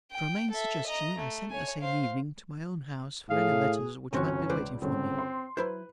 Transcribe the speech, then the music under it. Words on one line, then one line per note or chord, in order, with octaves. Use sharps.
At Romayne's suggestion, I sent the same evening to my own house for any letters which might be waiting for me.
G5
A4 E5
D#5 A#5
A3
C#5 G#5
C5 F5
A2 G#4 F5
G1 C2 E3 C4 C#4 F#4
C#2 B4 C5 D5
G1 C#3 C4
C6
F#3 E4 B4 C5